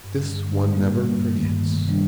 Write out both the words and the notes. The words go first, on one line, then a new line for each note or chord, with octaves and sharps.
"This one never forgets!"
G2
D3 G3
G2
D3 G3
A2
G3 A#3
A2
G3 A#3
G2
D#3 A3
G2
D#3 A3
C3
D#3 G3 D4